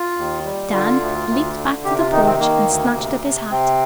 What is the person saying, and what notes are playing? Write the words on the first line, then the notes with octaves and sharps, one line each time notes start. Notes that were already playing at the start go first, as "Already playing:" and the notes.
Dan leaped back to the porch and snatched up his hat.
Already playing: F4
D#2
G3
D3 F4
D2
D2
D3
C3 G4
F4
D#3 D#4
C4
D#3 A#3
D2
C3
C3
C3 C4